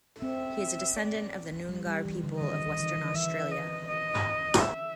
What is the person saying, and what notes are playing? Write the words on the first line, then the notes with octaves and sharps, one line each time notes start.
He is a descendant of the Noongar people of Western Australia.
C4 E5
D5
G3
G3
E3
D3
D#3 D#5
D#3
D#3
E3
E3
E3 E5
D#5
D#5
E5